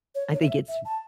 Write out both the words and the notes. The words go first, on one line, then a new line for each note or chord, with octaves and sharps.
I think it's
C#5
C#5
E5
E5
A5